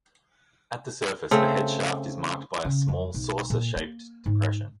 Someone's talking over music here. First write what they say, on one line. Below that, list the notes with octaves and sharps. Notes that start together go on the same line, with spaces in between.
At the surface the head shaft is marked by a small saucer-shaped depression.
C#3 A3 C4
C#3
F2
B1
A#2
A#3
G#2